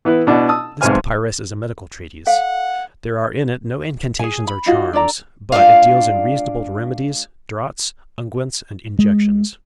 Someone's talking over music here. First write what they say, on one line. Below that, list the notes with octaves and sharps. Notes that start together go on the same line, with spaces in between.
This papyrus is a medical treatise; there are in it no incantations or charms; but it deals in reasonable remedies, draughts, unguents and injections.
E3 B3 E4 B4
B2 D4 E4 F#4
A5 D#6 E6
B1 G#2 C3 C5 G#5 F6
A4 F5 F#5
G#4 G#5
B5
D#4 F4 F#4
D4 A4 D5 A#5
G#3 D4 F4 D5 F5
G#3